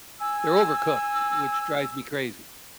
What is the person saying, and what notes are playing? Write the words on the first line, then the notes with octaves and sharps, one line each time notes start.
they're overcooked which drives me crazy.
G#5 E6